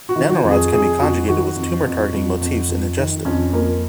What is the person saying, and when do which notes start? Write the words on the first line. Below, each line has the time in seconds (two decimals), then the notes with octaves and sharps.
Nanorods can be conjugated with tumor targeting motifs and ingested.
0.09 F#4
0.16 D#3
0.29 F#4
0.44 F2
0.51 G#4
0.72 F2 G#4
0.99 F2 F#4
1.28 D#3 F#4
1.56 F2
1.85 F2
2.12 F2
2.41 F2
2.69 F2
2.97 D#3
3.25 F2 C#4
3.53 F2 A#3